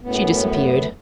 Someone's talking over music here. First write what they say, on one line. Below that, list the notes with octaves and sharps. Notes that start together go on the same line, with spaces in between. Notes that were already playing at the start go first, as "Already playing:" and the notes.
She disappeared.
F#2 A2 B3